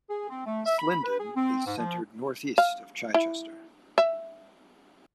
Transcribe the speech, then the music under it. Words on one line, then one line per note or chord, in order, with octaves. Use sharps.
Slindon is centred north-east of Chichester.
G#4
C4
A3
E5
B5
B4
G#4
C4
G#2
F3
F5
E4
E5